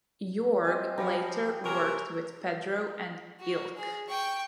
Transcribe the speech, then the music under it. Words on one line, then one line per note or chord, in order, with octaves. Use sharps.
Jorge later worked with Pedro at Elche.
C4 G#4 D#5
F3 G3 A#5 B5
C3 F#3 A#4 C#5 G#5 D6
F#4
G#4
G5 C#6